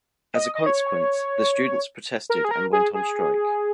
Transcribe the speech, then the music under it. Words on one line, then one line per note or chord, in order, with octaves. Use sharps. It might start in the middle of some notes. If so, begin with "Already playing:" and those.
As a consequence, the students protested and went on strike.
D#5
D#5
C#5
A#4
G#4
A#4
G#4
G#4